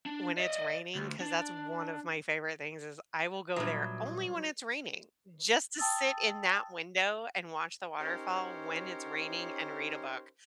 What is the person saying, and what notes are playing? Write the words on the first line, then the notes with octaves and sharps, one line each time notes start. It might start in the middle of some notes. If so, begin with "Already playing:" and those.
when it's raining 'cause that's one of my favorite things is I will go there only when it's raining just to sit in that window and watch the waterfall when it's raining and read a book
D4
D5 D#5
D2
D4
G2 A#2 F#3 E5 D#6
G5 A5 D#6 E6 A6
C#4 D#4 G4 A#4 C5 C#5